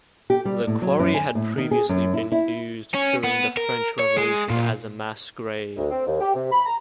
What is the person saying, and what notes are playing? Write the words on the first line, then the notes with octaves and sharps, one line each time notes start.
The quarry had previously been used during the French Revolution as a mass grave.
G4
G3
A2
F#3
F#2
G#5
A2
D#3
G#4
F#2
E4
E4
C#4
B3
A#4
C#5
G#3
A#2
D2
C4
D#2
G4
C3
B5
A#5